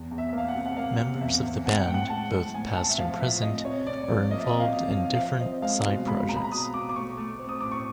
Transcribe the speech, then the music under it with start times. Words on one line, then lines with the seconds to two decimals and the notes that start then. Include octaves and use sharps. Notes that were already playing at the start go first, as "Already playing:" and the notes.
Members of the band, both past and present, are involved in different side projects.
Already playing: E2
0.11 E2
0.18 E5
0.28 A#3 E5
0.38 F5
0.48 F#5
0.55 C3
0.66 F#5
0.77 A#3 F5
0.99 C3
1.21 E2 E5
1.43 C3
1.65 A2 F#5
1.73 G5
1.80 F#5
1.87 A2 G5
1.94 F#5
2.09 G#3 A5
2.32 A2
2.54 A2 G#5
2.76 A2 A5
2.89 E5
2.98 F3 F5
3.20 A2 E5
3.42 C3 D#5
3.65 C3 C#5
3.86 C3 D5
4.09 F3
4.31 A#3 D#5
4.38 E5
4.46 D#5
4.53 C3
4.60 F5
4.75 C3
4.90 F5
4.97 F3
5.14 F5
5.19 C4 E5
5.40 C4 D#5
5.62 G#3 F5
5.85 B2
6.07 G#3 B5
6.29 G#3 A#5
6.36 B5
6.44 A#5
6.51 B2 D#6
6.73 B2 D6
6.89 D6
6.96 A3 C#6
7.17 A3
7.39 C4
7.49 D#6
7.61 A2 D6
7.71 C#6